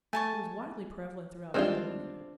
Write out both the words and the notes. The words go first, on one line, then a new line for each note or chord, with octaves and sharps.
It was widely prevalent throughout Babylonia.
A3 G#5 A5 C#6
D#3 G3 G#3 C4 D4 F4